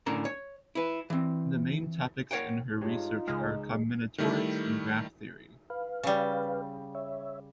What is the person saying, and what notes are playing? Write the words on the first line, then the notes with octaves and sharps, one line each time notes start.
The main topics in her research are combinatorics and graph theory.
A2 D3 C#4 A#4 A5 A#5
C#5
E4 B4
E3 C4
A#4 C#5 F#5 G5
G2 G#3 D#4 F4 C#5
C#2 G#3 F6
D#3 G3 A3 E4
B4 F5
C#3 G3
C#5 E5